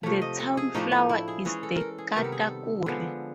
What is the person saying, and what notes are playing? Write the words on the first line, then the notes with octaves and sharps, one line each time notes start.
The town flower is the Katakuri.
C3 F3 A3 C#5
D#5
A4
G#4
A2 F3 A3 D4 D#4
D#4
E4
G#4
E3 G#3 C#4 G#4
A4
A4 A#4
G#4
C3 D#3 G3 B3 A#4
A4
G#4
A4
D3 F3 G#3 B3